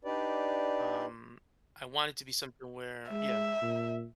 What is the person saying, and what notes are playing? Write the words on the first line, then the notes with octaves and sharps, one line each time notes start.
Um, I want it to be something where Yeah.
D4 D#4 G4 B4 D5
G#3 E5
A#2